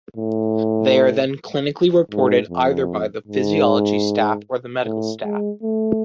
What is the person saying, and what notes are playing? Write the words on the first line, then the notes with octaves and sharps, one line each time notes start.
They are then clinically reported either by the physiology staff or the medical staff.
A2
G#2
F2
G#2
A2
G#3
A3